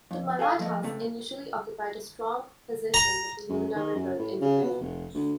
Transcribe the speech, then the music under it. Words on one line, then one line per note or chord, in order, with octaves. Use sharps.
The Marathas initially occupied a strong position with the Yamuna River in their rear.
F2
G#4 A4 F5 G#5
F3 A3 D#5
C#2 C3 A3
A#5
F#2
D#3
F#2
A2
C#3
B2
F1
D2